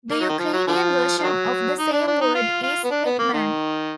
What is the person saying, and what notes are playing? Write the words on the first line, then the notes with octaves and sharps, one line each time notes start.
The Ukrainian version of the same word is Hetman.
A#3
F#3
D#3
F3
F#3
D3 F3
F3
D#3 F#3
D#4
D4
D4
D#4
F4
F4
B3
D4
B3
A#3
D#3